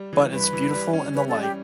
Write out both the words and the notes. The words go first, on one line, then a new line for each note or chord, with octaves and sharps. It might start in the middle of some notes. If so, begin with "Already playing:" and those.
But it’s beautiful in the light.
Already playing: G3
E3
G2 B4
E3
G3
C#4
C#4 B4
A4
G3
G4